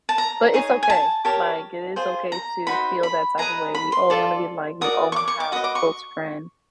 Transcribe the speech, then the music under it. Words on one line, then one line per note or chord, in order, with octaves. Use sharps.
but it's okay. Like, it is okay to feel that type of way. We all want to be liked; we all want to have a close friend.
A5
A#5
D#4 G#4 C#5
G#5
A5
G4 A#4 C#5 A5
F4 G#4 C5
A#5
D#4 F#4 C5 B5
B5
G#4 B4 D#5 A#5
B5
C6
F4 A4 D5
F#4 A#4 D5 D#6
C#6
D6
C#6
D6
F#4 B4 D#5 D#6
D6
C#6